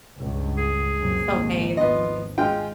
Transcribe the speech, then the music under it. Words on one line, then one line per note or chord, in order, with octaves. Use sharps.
it's okay as long as
C#2 G2
G#4
C2 F#2 A#2
G#1 D#2
G#1 B3 F4 D#5
G#3 C#4 F4 G5